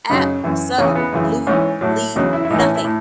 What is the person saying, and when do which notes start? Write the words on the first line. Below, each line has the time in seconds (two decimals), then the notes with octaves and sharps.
Absolutely nothing,
0.09 F#2 C#3 F#3 D#4
0.44 F#2 E3
0.78 E2 C#3 E3 C#4
0.95 B3
1.12 F#2 C#3 E3
1.47 G#2 E3 C#4
1.81 A2 F#3
2.15 E2 C#3 F#3 D#4
2.33 E4
2.45 E4
2.50 A2 D#4
2.54 E3
2.59 C#4
2.76 E4
2.85 A2